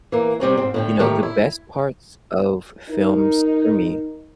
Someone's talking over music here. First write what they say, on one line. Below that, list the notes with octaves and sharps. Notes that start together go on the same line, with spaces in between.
you know, the best parts of films for me
E3 A#3
C3 G3 C4 C#4
G#2 C4
A2 D3 G5
A2 D#3 A3 G4 A#4
E4
D#4 A#4